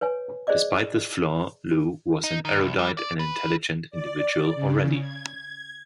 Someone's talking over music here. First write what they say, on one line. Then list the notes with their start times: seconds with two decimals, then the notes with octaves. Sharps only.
Despite this flaw, Lou was an erudite and intelligent individual already.
0.01 B4 C#5 G#5
0.47 G#4 C5 D5 D#5 D6
2.24 D#4
2.45 D#3
2.60 C2
2.79 G3
2.97 D5
3.19 B4
3.91 D5
4.55 C#3
5.00 G#6